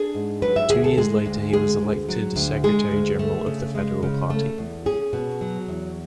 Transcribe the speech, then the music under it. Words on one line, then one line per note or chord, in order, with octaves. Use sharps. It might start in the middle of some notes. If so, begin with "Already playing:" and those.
Two years later he was elected secretary general of the federal party.
Already playing: D4 G#4
G#2
F#3 B4
E5
D2 G#4
A4
G#3 G#4
D2
G#3 G#4
D2
F#3
D2
G#3 G#4
D2
A3
C#3
G#3
C#3
A3
E2
C#4 G#4
B2
F#3
E2